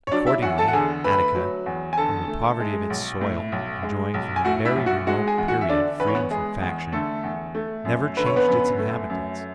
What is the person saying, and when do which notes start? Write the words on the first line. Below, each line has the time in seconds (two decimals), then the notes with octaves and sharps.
Accordingly Attica, from the poverty of its soil enjoying from a very remote period freedom from faction, never changed its inhabitants.
0.07 C#5
0.11 F#3 D4 D5
0.27 E4 E5
0.42 E2 F#4 F#5
0.58 A4 A5
0.68 F#5
0.73 D3 G#4 G#5
1.04 A3 B4 B5
1.35 F#3
1.66 E2
1.93 G#5
1.97 D3 A4 A5
2.28 A3
2.60 G#3
2.90 B1
3.21 A2
3.52 B1
3.83 G#3
4.14 B1
4.36 G#5
4.45 A2 F#4 F#5
4.65 E4 E5
4.76 B1
4.86 F#4 F#5
5.07 G#3 F#4 F#5
5.27 G#4 G#5
5.38 E2
5.48 F#4 F#5
5.61 E5
5.69 D3 D4 D5
5.99 E2 B4
6.08 C#5
6.15 B3 B4
6.31 G#3 G#4
6.61 E2
6.92 D3 A3 A4
7.23 E2
7.55 A3
7.85 F#2
8.17 D3 B4
8.26 C#5
8.36 B3 B4
8.48 F#2
8.79 A3
9.10 F#2